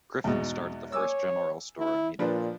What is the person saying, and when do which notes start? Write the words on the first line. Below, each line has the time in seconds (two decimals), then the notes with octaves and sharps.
Griffin started the first general store immediately.
0.24 E2 G#2 B2
0.92 C#5 G#5 D6 E6
1.78 E4
2.19 A#2 F3 D4 B4